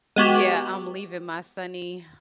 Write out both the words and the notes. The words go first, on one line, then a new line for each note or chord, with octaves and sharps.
yeah, I'm leaving my sunny
G#3 B3 F#4 G4